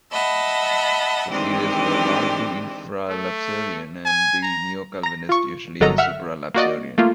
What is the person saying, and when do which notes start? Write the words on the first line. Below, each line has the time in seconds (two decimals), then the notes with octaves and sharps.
The Seceders were largely infralapsarian and the Neo-Calvinists usually supralapsarian.
0.11 D#5 E5 F#5 A5 B5
1.31 D#3 E3 G#3 C4 D4 G4
3.09 A3
4.06 G#5
4.43 A#5
5.03 A#5 A#6
5.29 F4 C#6
5.81 G1 F#3 A4 A#4 D#5 A#5
5.98 E5 F#5 F6
6.55 A#3 F#4 D5 D#5
6.98 A3 A#3 F4